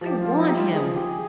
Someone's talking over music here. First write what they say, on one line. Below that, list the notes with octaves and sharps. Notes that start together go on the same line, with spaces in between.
I want him.
F3 G4
F4
F3
D#4
G4
F4
F3 G#4
G4